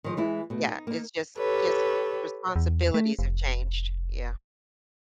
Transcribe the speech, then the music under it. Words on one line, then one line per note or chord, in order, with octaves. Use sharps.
Yeah. It's just just responsibilities have changed. Yeah.
D#3 F3 G#3
E3 G#3 E4
B2 A3
D#4
A#3 D#4
G4 A4 B4 C#5
E2
A3
F1